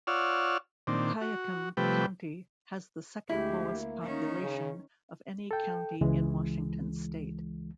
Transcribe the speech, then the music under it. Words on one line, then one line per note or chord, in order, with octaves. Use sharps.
Wahkiakum County has the second lowest population of any county in Washington state.
F4 C#5 D5 F#5 E6 F6
A#2 D#3 C4 D4
F#4
C3 F3 G3 A3 B4 G5
D2 G#3 E4 G4
A#3
D#3 C#4 D#4
C#3
A4 G5
C#2 E3 G#3